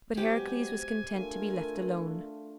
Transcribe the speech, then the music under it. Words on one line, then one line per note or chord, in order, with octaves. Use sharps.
But Heracles was content to be left alone.
F#3 G#3 B3 G4 C5 G#5
A3 D4 F4 A#4